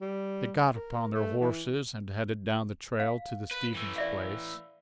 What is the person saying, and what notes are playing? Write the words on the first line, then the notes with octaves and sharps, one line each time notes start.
They got upon their horses and headed down the trail to the Stevens place.
G3
A#4
A3
E3
F5
B4
E3 A3
D5 E5 F5